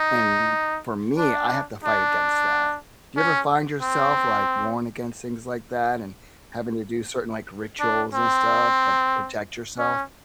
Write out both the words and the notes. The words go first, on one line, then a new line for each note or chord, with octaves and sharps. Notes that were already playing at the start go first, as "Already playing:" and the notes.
And for me, I have to fight against that. Do you ever find yourself, like, warned against things like that and having to do certain, like, rituals and stuff to protect yourself?
Already playing: D#4
D4
D4
C#4
C4
D4
C4
C#4